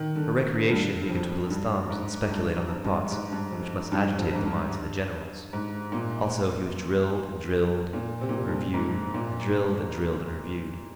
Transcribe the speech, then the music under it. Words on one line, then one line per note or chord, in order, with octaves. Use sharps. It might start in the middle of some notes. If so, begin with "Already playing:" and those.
For recreation he could twiddle his thumbs and speculate on the thoughts which must agitate the minds of the generals. Also, he was drilled and drilled and reviewed, and drilled and drilled and reviewed.
Already playing: D#3
D3
G2
F2
G2
G#2
G2
F2
G2
G#2
G2
F2
G2
F2
G#2
G2
G#2
A#2
A#2
C3
A#2
C3
G2
G#2
A#2